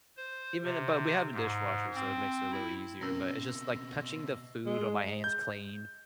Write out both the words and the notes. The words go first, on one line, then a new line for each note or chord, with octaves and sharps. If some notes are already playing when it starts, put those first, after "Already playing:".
even eh, but we have a dishwasher, so it makes it a little easier, but it's just like touching the food on my hands clean.
C5
C3
G#2
C4
E4
B2 C4 C#4 A#4 E6 A#6
G#3
G6